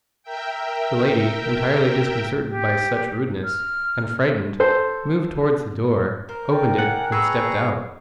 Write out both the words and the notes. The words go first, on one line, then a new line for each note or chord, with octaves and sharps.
The lady, entirely disconcerted by such rudeness, and frightened, moved towards the door, opened it and stepped out.
A#4 E5 G5
G4
F6
A4 C5
A#4 C5
D5 G5
G#4 F#5
G#4 A4 B4 A#5 C#6 E6